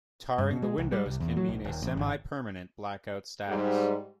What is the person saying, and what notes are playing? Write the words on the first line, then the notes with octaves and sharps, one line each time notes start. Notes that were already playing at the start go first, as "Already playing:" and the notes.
Tarring the windows can mean a semi-permanent blackout status.
G2
B2
G#3
C2
G3
C2
E2
F#3
B1
D#1
A1
G#1
G#2 G3